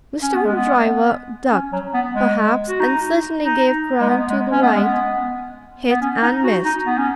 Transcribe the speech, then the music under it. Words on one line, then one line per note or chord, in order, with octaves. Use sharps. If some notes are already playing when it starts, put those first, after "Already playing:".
Mr. Hoopdriver ducked perhaps and certainly gave ground to the right, hit, and missed.
C#4
B3
G#3
B3
C#4
F#3
B3
G#3
F#4
D#4
D#4
G#3
B3
G#3
C#4
B3
G#3
B3
B3
C#4
D#4
F#4
D#4
B3
C#4